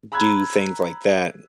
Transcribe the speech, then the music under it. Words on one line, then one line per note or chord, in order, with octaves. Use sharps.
do things like that,
A#5 B5 E6 F#6 G#6